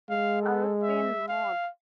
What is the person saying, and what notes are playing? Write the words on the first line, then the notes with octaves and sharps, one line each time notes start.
Arifin Mohd.
G#3 F5
A4
E5
F5